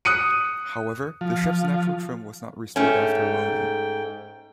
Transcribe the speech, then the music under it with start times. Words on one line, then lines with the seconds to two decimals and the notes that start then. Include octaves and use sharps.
However, the ship's natural trim was not restored after loading.
0.05 D#6 F#6 C#7 D#7
1.21 F3
2.76 G#2 A3 C#4 G5